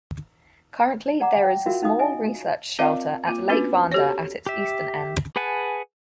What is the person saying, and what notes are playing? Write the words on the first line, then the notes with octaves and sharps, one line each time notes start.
Currently there is a small research shelter at Lake Vanda at its eastern end.
D5 F#5 A#5 D6
G5
F4 F#4 A#4 E5 F5
C#4 D#4 F5 D#6
D#5 E5 G#5
C4 F4 A#4 D5 D#5 F5
A#3 F4
B3 C#4 D4 F4 F#4 B4
F#4 G4 A4 C5 C#5
G4 E5
G#4 B4 F#5 G#5 A5